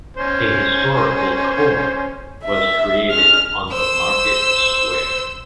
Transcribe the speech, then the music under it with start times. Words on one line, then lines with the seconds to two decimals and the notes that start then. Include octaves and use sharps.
A historical core was created on the market square.
0.17 C#4 C5
2.45 E5
3.11 F6
3.70 C5 E6